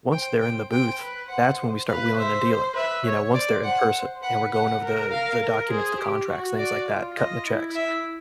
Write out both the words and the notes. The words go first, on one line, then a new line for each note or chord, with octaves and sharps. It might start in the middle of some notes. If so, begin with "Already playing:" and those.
once they're in the booth, that's when we start wheeling and dealing, you know? Once they're in person, and we're going over the the documents, the contracts, things like that cutting the checks.
C5 G5
G5
C5 G5
B4
C5 F#5
B4 F5
C5 E5
B4 E5
C#5
C5 D5
F#5
C5
B4 F#5
F#5
A#4
A#4 F5
A#4
G#4 C5
G4
F#4
D5
F4
D#5
E4
E5